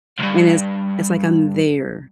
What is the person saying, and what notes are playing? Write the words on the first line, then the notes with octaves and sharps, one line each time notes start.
and it's it's like I'm there
C2 G2